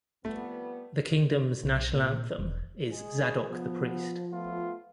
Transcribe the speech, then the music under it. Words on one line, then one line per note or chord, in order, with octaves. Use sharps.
The kingdom's national anthem is "Zadok the Priest".
F2 G3 A3 B3
B1
A#2
E1
G#3 G#4
F3 B3
A3 B3 F4